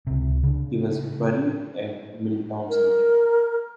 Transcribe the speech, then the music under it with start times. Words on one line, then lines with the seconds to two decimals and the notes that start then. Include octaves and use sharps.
He was buried at Milltown Cemetery.
0.07 C#2 C3
0.43 C#3 D4
2.69 A#4